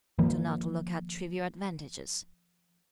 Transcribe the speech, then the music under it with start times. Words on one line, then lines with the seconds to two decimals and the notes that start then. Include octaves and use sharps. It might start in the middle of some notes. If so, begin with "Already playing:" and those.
Do not look at trivial advantages.
0.19 D#3 F3 A#3